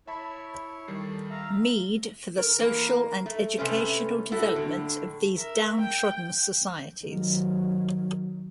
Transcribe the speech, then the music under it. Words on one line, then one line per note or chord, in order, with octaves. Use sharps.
Mead for the social and educational development of these downtrodden societies.
E4 C#5 E5 A5 B5
D#3 G3 C7
A4
E5 F5 A#5
A#4
E3 A#3 A#4
A3
C3 A3 C#4 B4
E4 F#4 A4
A2 D3
A#4 E5
G5
D#3 F#3